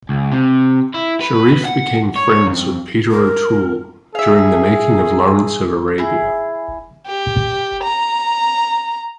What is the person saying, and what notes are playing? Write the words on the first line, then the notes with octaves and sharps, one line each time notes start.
Sharif became friends with Peter O'Toole during the making of "Lawrence of Arabia".
C#2
C3
E4
B4
F#5
C#5
F2
A#4
G#4 E5 F5
E4 G#4
G4
A#5